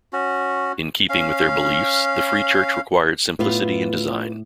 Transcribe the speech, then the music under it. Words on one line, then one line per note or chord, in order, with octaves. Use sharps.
In keeping with their beliefs, the Free Church required simplicity in design.
C#4 F#4
C#4 F5
A2 B3 F4 B4